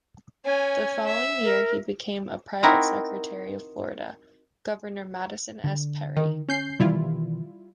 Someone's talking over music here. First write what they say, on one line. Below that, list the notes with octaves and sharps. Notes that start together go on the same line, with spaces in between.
The following year, he became a private secretary of Florida Governor Madison S. Perry.
C#4 C#5 G#5
E5
A#4
C4 D#4 E4 F#4 A#4
D3
D#3
C#4 G6 C7
B2 D#3 E3 G3 E4 F4